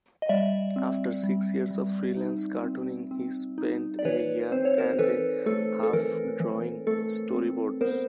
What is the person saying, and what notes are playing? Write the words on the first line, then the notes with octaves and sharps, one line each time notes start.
After six years of freelance cartooning, he spent a year-and-a-half drawing storyboards.
D#5
G3 D5 E5
C4
G3
G3
D#4
C4
C4
D#4
D5
E3 B4 C#5
C4 C5
C#5
A#4 C5
E3 A4 B4
A3 A4
A4
E3 A#4
E3
A3 A4
C4
B3 A#4 C5